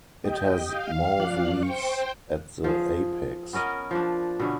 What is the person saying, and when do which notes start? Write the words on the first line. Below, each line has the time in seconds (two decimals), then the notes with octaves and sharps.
It has mauve leaves at the apex.
0.25 G4 D#5 G5
0.70 F5
1.20 F3 D5 F#6
1.63 C5 G5 C#6
2.64 F3 G#4
3.53 B3 C#4 A#4 D#5
3.91 F3 D4
4.40 B2 D3 C#4